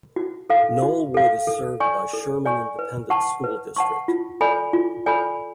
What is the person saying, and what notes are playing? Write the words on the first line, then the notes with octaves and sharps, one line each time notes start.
Knollwood is served by Sherman Independent School District.
F#4
A4 F5
F#4
A4 F5
A4
D5 G#5 C#6
A4
D5 G#5 C#6
B4
F#5 A5 C#6
B4
F#5 A5 C#6
F4
A4 D5 G#5 B5
F4
A4 D5 G#5 B5